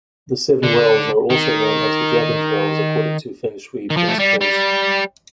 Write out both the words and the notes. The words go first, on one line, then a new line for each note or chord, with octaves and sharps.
The Seven Wells are also known as the Dragon's wells according to fengshui principles.
D3
D#3
D#3
F3
A3
G3
G3